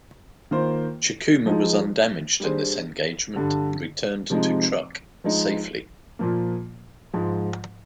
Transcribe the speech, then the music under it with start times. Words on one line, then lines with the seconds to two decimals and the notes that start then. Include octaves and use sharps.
"Chikuma" was undamaged in this engagement, and returned to Truk safely.
0.51 D#3 A#3 F4 C5
1.46 F3 G#3 D#4 G#4
2.40 G3 D4 G#4 C5
3.35 G2 D3 G3
4.30 C3 F3 G#3 D#4
5.24 F3 G#3 D#4
6.19 A#2 F3 A#3
7.14 G#2 F3 G#3